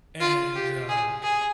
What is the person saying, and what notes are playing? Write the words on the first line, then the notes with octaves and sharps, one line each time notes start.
and, um,
F4
G4
G#4
G#4